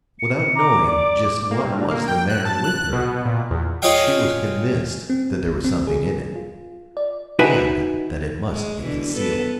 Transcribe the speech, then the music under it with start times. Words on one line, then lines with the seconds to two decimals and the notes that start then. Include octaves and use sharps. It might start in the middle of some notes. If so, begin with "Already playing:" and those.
Without knowing just what was the matter with her she was convinced that there was something in it, and that it must be concealed.
0.20 C#7
0.56 A#5 D6
0.87 D5
1.51 A#3
1.64 G2
1.91 A#3
2.08 G5
2.29 F#6
2.45 A5
2.64 F#6
2.93 B2
3.25 A#2
3.51 E2
3.82 F4 G#4 C#5 D#5 F5 G5
5.10 C4
5.45 G1
5.64 C4
5.87 G#4
6.36 F4
6.97 D5
7.39 D#4 F#4 B4 E5 G#5
8.51 G#3
8.83 B2 D3 E3
9.13 B3 A4 B4